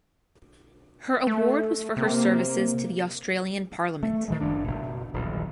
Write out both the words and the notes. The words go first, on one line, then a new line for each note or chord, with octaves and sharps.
Her award was for her services to the Australian Parliament.
A3
C3 A#3
A3
D#3 E3 G#3
F#1 F#2 D4
F#1 B2
D#1 B1 E2